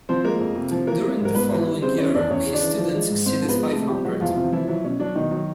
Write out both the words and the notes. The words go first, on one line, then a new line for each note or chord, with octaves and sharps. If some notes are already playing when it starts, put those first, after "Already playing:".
During the following year his students exceeded five hundred.
F3 C4 C5
G#3 A#3 A#4
F2
C3
F3
E3 A#3 A#4
G3
G#2
A#4
G#2 B3 B4
E3
G3
C#3 C4 C5
E3 C#4 C#5
E2 D4 D5
E2 C#4 C#5
C#3
D4 D5
E3
F3
G#3
G#2
G#2 C4 C5
F3
B3 B4
G#3
C3 A3 A4
F3 G3 G4
F#3 G#3 F#4
E2 F3 F4
C3 F3 F4
E3 F3 E4
E3 F#3 E4
B2 C#4
F#3 D4
B2 D#3 D#4
F#3